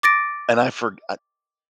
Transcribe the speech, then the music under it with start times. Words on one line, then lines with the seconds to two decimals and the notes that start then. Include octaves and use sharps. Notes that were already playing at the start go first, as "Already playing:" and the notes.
And I forg I
0.03 D6 A6 A#6 D7